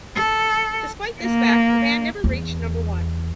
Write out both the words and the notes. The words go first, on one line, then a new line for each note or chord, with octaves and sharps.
Despite this fact, the band never reached number one.
A4
A#3
E2